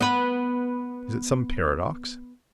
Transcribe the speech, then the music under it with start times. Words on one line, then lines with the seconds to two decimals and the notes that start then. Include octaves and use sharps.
Is it some paradox?
0.01 B3 B4